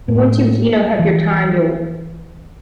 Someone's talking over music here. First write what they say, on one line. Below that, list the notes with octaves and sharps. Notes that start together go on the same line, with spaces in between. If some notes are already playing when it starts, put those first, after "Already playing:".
and once you you know, have your time, you'll
A2
E3